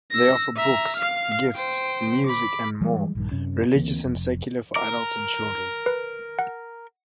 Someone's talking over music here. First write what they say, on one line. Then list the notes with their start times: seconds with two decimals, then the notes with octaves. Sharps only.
They offer books, gifts, music and more, religious and secular, for adults and children.
0.11 E6 A#6
0.56 E5 A#5
0.97 F5 F6
1.55 C5 G5
2.27 B5 D6
2.81 E3 G3 G#3
3.15 A#1 G2 D#3
3.32 F#2 C3 C#4
3.75 D2 E3 A#3 C4
4.05 F1
4.76 A#4 D6
5.86 B4
6.39 F#5